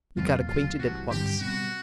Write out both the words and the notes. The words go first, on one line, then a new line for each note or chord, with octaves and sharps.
We got acquainted at once.
E2 B2 F#3 A#3 F4
D2 C#3 F#3 F4
C2 C3 E3 F#4
G2 D3 G3 C4 G4
B2 G3 C4 F#4